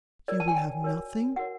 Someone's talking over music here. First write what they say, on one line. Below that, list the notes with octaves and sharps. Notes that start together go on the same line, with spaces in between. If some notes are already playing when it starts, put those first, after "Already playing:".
"You will have nothing!"
F4 A#4 C#5 D5
A5
G#5
G5
F#4 A#4 C#5
F#4 A#4 C#5 F#5